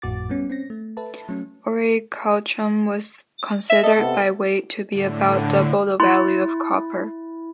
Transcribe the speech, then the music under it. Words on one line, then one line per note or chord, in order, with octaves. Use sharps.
Orichalcum was considered, by weight, to be about double the value of copper.
G#1 F2 A2 F#4 D6 A6
G3 B3 C#4
C4 C#4 A#6
A3
A4 B4 E5 A5
F#3 A3 C#4
E5
A4 D#5 E5
C3 B3
A2 D3
E4 C6